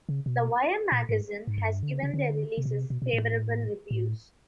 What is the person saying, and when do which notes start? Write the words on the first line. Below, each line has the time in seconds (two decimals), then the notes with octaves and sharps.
"The Wire" magazine has given their releases favourable reviews.
0.09 C#3
0.26 B2
0.92 A#2
1.09 G#2
1.47 G#2
1.58 G2
1.83 D3
1.92 C#3
2.03 C#3
2.14 D3
2.58 C3
2.66 B2
2.72 C3
2.90 B2
3.02 B2
3.13 A2
3.91 A2